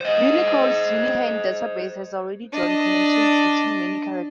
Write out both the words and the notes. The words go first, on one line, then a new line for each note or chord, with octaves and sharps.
Unicode's Unihan database has already drawn connections between many characters.
C5 D#5
D4 D#5